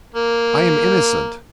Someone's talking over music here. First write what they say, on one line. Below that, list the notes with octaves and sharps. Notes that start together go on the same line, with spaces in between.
"I am innocent."
A#3